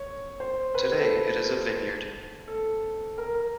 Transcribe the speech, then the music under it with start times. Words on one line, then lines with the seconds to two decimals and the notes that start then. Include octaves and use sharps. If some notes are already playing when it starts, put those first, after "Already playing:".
Today it is a vineyard.
Already playing: C#5
0.40 C5
0.75 B4
0.92 A4
2.48 A4
3.18 A#4
3.34 A#4